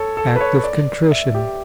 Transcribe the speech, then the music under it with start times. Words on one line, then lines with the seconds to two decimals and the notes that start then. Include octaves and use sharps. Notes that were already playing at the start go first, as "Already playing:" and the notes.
Act of Contrition.
Already playing: A4 C#5
0.17 A4
0.36 B4
0.41 C#5
0.64 D5
1.11 E5
1.35 G4